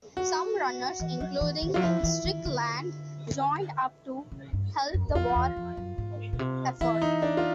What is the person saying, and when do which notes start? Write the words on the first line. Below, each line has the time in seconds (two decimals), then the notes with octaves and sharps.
Some runners, including Strickland, joined up to help the war effort.
0.17 F#4
1.00 E3
1.21 F#3
1.41 E3
1.62 D#3
1.74 F#3 F4
1.83 F3 E4
2.03 E3
2.25 D#3
2.45 D3
4.32 C#3
4.53 G2
4.94 F#2
5.09 F#2
5.15 F2 F4
5.30 F2
5.35 E2
5.56 F2
5.77 F#2
5.98 G#2
6.33 B2
6.39 C3
6.81 E3 E4
7.02 D#4
7.22 D4
7.37 F4